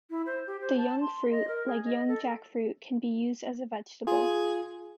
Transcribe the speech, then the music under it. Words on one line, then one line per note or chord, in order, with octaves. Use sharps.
The young fruit, like young jackfruit, can be used as a vegetable.
E4
C5
G4
C5
A5
C6
D#5
A#4
G#4
D#5
A4
F4 G#4